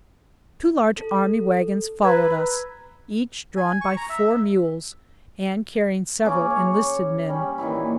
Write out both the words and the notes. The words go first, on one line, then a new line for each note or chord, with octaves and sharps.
Two large army wagons followed us, each drawn by four mules, and carrying several enlisted men.
A4
B4 A#5 E6 G#6
G#5
C#6
A#5
E5
C#3 C#4 D6
C#5
G3 C#4
A#2 D#3 E3 E4